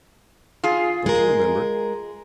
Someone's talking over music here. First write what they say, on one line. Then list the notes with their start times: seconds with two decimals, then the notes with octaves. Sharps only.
'Don't you remember?
0.63 F4 G#4
1.06 G#3 A#4